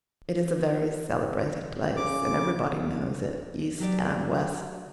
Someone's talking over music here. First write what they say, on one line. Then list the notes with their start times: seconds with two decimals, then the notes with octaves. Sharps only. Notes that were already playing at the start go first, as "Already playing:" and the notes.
It is a very celebrated place, and everybody knows it East and West.
1.97 C#3 D6
3.80 F#3 G4 D5